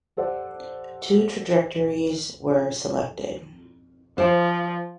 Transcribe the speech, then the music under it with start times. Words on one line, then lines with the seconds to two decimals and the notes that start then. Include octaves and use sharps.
Two trajectories were selected.
0.17 G4 A4 C5 D5 F#5
4.18 F3 C5 D5 G5